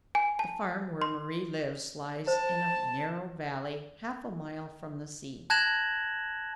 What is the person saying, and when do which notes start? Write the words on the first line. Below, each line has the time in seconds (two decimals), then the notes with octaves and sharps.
The farm where Mari lives lies in a narrow valley half a mile from the sea.
0.15 G#5
0.39 A5
1.02 C6
2.27 C5 A5
5.50 A5 F#6 G#6 A#6 E7 F#7